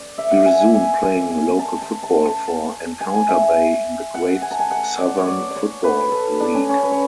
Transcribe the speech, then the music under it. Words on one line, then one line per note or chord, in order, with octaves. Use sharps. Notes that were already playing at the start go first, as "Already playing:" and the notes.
He resumed playing local football for Encounter Bay in the Great Southern Football League.
Already playing: D5
E5
F#5
G#5
G#5
G#5
G#5
G#5
A5
A5
A5
A5
A5
G#5
G#5
E5
G#5
F#5
G#5
A5
G#5
F#5
D5
C#5
D5
D5
C#5
B4
A4
D4
C#4
C#4
B4
C#5